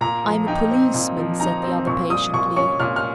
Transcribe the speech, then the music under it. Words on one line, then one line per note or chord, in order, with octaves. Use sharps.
"I'm a policeman," said the other patiently.
A#2 A#5
F3
D#4 G5
C4
A#2
F3
D#4 A#5
C4
A#2 C#6
G3 D#6
A#2 C#6
C#4 C#6
A#2 F6
F6